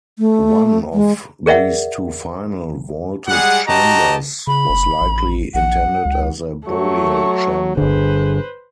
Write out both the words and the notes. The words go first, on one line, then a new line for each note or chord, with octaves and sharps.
One of these two final vaulted chambers was likely intended as a burial chamber.
A3
G#3
G#4 A#4 D5 E5 F#5
G3 G#3 G#4 F#5
F#4 G4 D#5 A5 A#5
C#3 B5
F#1
A1
A#1 F#5
C#2
F#3 A3 C#6
G1 D3 G#4 B4 C5